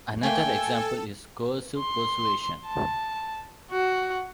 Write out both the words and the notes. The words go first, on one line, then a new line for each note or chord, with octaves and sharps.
Another example is coercive persuasion.
A3 A#3 A4 G5 G#5
C6
A5
F#4